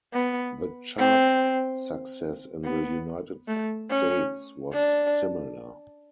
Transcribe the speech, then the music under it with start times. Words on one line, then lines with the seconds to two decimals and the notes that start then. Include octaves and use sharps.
The chart success in the United States was similar.
0.14 B3
0.98 C4
2.65 B3
3.48 A3
3.90 C#4
4.73 D4